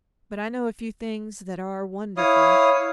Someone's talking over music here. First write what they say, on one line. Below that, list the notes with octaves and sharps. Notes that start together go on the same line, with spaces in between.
But I know a few things that are wonderful.
E4 C#5 F5 D#6